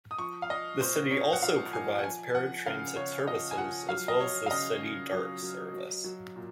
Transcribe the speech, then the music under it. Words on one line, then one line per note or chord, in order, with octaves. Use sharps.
The city also provides paratransit services as well as the City Dart Service.
D#6
F3 C#6
F5
F3 D#5
A#2 C5
A#2 C#5
F#5
F3 F5
F3 G#5
F#5
F3 G#5
F3 F#5
C#3 F5
C#3 C#5
F3 D#5
G#5
F3 F#5
F#3 F5
D#5
F#3 C#5
F5
C#3 D#5
C#3
F#3
F#3
F#3
F#3
A#2